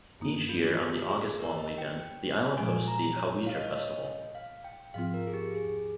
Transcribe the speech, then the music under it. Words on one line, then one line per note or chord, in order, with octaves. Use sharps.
Each year on the August long weekend, the island hosts the Haweater Festival.
G2 D#3 A#3 D#4
F4
F4
G4
G#4
A#4
D#5
G5
A#2 F3 G#3 G#5
A#5
C#5
F5
D#5
C#5
D#5
F5
G5
G#2 F3 C4 F4 F5
A#4
G#4
G4
G#4